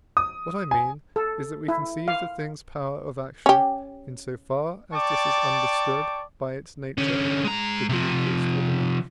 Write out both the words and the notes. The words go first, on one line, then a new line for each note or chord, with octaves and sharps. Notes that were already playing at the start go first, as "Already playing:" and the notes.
What I mean is, that we conceive the thing's power of action, in so far as this is understood by its nature, to be increased or diminished.
D#6
G#5
A4
E4
F5
C#4 G4
D5 G5 A5 C#6 D6
D3 C#4
G#3 A#5
C3 F3